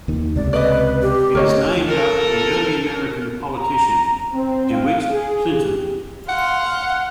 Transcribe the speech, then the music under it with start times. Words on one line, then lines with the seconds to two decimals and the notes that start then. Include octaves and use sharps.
It is named after early American politician DeWitt Clinton.
0.08 D#2 D#3
0.36 C#2 C3 D5
0.53 B4 D5 D#5
1.02 G4
1.35 D2 A#4 C#5 D#5
1.87 A4 A#4
3.59 A#5
4.33 C4
4.71 F5
5.10 G#4
5.51 G4
6.29 F5 F#5 C6